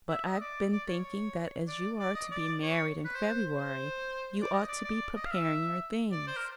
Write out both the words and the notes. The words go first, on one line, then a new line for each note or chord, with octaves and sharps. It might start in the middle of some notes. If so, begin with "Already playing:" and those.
But I've been thinking that as you are to be married in February you ought to be preparing your things.'
E5
D#5
D5
D5
C#5
D5
D5
D#5
D5
C#5
B4
C5
C5
D5
D#5
D5
D5
D#5
F5
E5
D5
C5
A#4